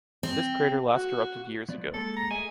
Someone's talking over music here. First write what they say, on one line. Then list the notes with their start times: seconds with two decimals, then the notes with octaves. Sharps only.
This crater last erupted years ago.
0.23 C4
0.92 F#4
1.68 F3 B3 D5
1.94 G#3 A#3 A4
2.17 A#5
2.31 A3 G#4 D#5 G#5